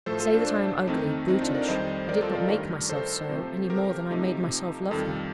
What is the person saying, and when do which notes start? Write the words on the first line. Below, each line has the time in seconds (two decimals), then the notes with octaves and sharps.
Say that I am ugly, brutish; I did not make myself so, any more than I made myself love her.
0.06 A2 F3 A3 A4 C5
0.20 F4 A4
0.34 D4
0.47 D4
0.87 F2 D#3 A3 C4 D#4
1.28 C4 D#4
1.41 D4 F4
1.54 A#4 D5
1.68 F2 D#3 G3 C5 D#5
2.09 A#4 D5
2.22 F4 A4
2.35 F4 A4
2.49 G2 D#3 A3 G4 A#4
2.89 A4 C5
3.29 C3 F3 A3
3.70 G4 A#4
4.10 C3 F3 A3 D#4 G4
4.91 F2 D#3 G3 F4 A4